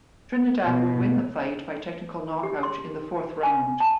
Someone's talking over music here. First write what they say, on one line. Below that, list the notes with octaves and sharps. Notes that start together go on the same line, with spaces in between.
Trinidad would win the fight by technical knockout in the fourth round.
B2
G4
C6
G#5
A5